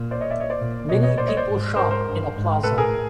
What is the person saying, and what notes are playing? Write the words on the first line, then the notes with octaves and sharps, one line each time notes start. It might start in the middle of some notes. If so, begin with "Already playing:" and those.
Many people shop in a plaza.
Already playing: A#2
C5 D5
C#5 D#5
D5 E5
C#5 D#5
C5 D5
A#2
B2 C#5 D#5
C#5 D#5
A#2 C5 D5
C#5 D#5
C5 D5
G#2
G#2 A#4 C5
A#4 C5
G2
G#2
A2 A4 B4
G#4 A#4